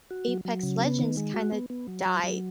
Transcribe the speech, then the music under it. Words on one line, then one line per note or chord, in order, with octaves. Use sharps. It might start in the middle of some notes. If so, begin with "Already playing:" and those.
Apex Legends, kinda, died
F#4
F#3
F#3
C#3
B3
D#3
G#3
F#4
B3
B3
F#3
F#3
F#3